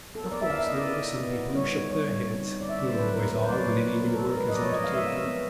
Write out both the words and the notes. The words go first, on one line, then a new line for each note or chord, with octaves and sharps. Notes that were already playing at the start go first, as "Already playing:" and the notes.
Of course there were some people who shook their heads; there always are when any new work is undertaken.
B3 A4
A#4
B3 D5
E5
E4 F5
E5
B3 D#5
D5
E4
E4
B3
E4
G3 C#5
D#4
G3 C#5
G3
C4
D#4
D3 D5
E5
D3 D5
C5
F#3 B4
C4 A#4
A3 B4
C5
F#3 D5
C#5
A3 B4
D#3
A3 A#4
A4
D#3
A#4
G#3 B4
D#5
F3 D5
C#5
B3 D#5
F5
G#3
E5
B3 F5
B3